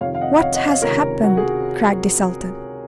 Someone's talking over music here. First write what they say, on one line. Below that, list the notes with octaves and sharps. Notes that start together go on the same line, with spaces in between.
What has happened?' cried the Sultan.
F2 C3 D#3 C#5 F5
F5
D#5 F#5
F#5
C#5 F5
D#5 F#5
C#5 F5
C#2 C3 D#3 A#4 C#5
F#4
G#4